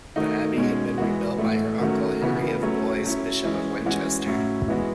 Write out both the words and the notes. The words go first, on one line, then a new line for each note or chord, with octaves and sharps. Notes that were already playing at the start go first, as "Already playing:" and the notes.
The abbey had been rebuilt by her uncle Henry of Blois, Bishop of Winchester.
D#3 A3 D#4 F#4
B2 G#3 C#4
E3 G#3 B3 F#4
A2 E3 A3
D#3 F#3 A3 C#4 F#4
C#3 E3 B3 F#4
F#3 A3 C#4
F#3 C#4 E4
E3 G#3 C#4
E3 G#3 C#4 F#4
A2 F#3 C#4 E4
E3 G#3 B3 F#4